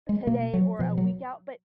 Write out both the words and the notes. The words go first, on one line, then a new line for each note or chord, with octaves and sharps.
today or a week out. But
G#3
B2 A#3
F#3
B2 F3
F#3